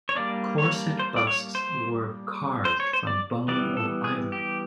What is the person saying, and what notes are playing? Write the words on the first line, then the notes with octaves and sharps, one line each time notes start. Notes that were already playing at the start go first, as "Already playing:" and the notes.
Corset busks were carved from bone or ivory.
C#5
G3 A#3 D4 D5
C#5
C5
D5
C#5
C5
C5
C#5
C5
D5
E3 G3 B3 D5
A4
G#4
G4